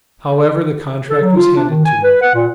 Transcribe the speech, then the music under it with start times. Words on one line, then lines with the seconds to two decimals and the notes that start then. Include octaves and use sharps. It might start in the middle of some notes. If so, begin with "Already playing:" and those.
However, the contract was handed to me.
1.10 A4
1.22 F#3
1.37 F4
1.55 D4
1.70 D#3
1.86 G#5
2.04 B4
2.22 F#5
2.34 A#2